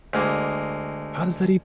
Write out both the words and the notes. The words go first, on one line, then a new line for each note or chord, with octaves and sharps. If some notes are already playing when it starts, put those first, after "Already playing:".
How does that
D2 G#3 A#3